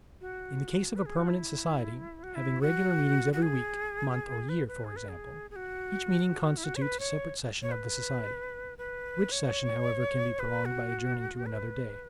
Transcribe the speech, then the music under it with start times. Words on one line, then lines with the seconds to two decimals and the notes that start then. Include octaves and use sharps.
In the case of a permanent society, having regular meetings every week, month, or year, for example, each meeting constitutes a separate session of the society, which session however can be prolonged by adjourning to another day.
0.21 F#4
0.96 B4
1.06 G#4
1.17 F#4
1.28 E4
2.23 F#4
2.35 E4
2.61 F#4
3.33 F#4
3.42 G#4
4.49 B4
4.68 B4
4.84 G#4
4.96 B4
5.09 G#4
5.51 G#4
5.56 F#4
6.57 E4
6.64 F#4
6.76 C#5
6.82 B4
6.99 C#5
7.62 C#5
7.72 B4
8.78 B4
9.32 C#5
10.39 B4
10.65 F#4
11.46 B4